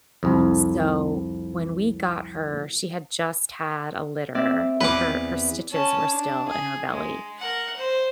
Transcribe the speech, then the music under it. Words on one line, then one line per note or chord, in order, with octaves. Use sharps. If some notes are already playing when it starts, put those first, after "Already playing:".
So, when we got her, she had just had a litter, like her her stitches were still in her belly.
C2 F2
C4 D5 E5
E2 B4 D6
C#4 A5
D4
G#4
G#3
A#4 F#5
C5